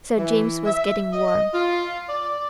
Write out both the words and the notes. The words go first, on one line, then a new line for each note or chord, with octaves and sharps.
Sir James was getting warm.
E3
E5
D#5
F4
D5